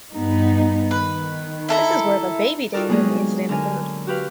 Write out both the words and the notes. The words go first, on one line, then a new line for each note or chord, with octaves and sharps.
This is where the "baby dangling" incident occurred.
G2 B3 D#4
D#3 B4
E4 A4 A#5
D#4 F4 F#4 A4 A#4 D5
C3 F#3 G#3 A#3 B3 G#4
D3 A#4 G#5
F#4 G4 B4 F5